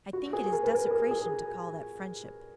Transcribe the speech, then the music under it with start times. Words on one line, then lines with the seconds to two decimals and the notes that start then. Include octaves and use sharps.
I think it is desecration to call that friendship.
0.13 F#4
0.33 G#4
0.52 A#4
0.63 B4
0.72 A#4
0.91 G#4
1.11 G#4